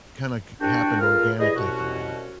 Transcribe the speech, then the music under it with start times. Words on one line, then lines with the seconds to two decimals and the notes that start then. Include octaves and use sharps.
kinda c happen organically for you?
0.61 C2 D4 F#4 G5
1.00 C#2 A#3 F4 A4 A#4 F6
1.40 E3 G3 E4 G#4 D#5
1.56 C2 B2 C#4 F#4